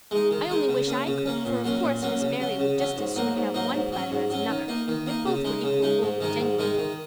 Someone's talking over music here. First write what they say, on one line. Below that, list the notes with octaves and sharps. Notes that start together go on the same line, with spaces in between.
I only wish I could, for of course Miss Barry would just as soon have one platter as another, if both were equally old and genuine.
G#3 D#4
D#3
G#3 D#4
C#3
A#3 C#4
C#3
A#3 C#4
A#2
F#3 A#3 C#4
A#2
F#3 A#3 C#4
C#3
F#3 C#4
C#3
F#3 C#4
G#2
F#3 A#3 D#4
G#2
F#3 A#3 D#4
G#2
F#3 C#4
G#2
F#3 C#4
D#3
A#3 D#4
D#3
A#3 D#4
C#3
G#3 D#4
C#3
G#3 D#4
G#2
D#3 G#3 D#4
G#2
D#3 G#3 D#4
D#3